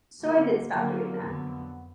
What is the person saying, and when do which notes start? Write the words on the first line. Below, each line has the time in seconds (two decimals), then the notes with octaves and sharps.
So, I did stop doing that.
0.20 D3 F#3 A#3
0.69 D3 F#3 A#3
1.17 F2 D3 F#3 B3